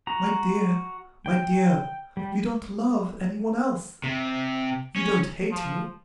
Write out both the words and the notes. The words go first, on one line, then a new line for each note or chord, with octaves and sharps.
My dear, my dear, you don't love anyone else; you don't hate me.
F#4 A#5
G5
G3
C3
C#4
F3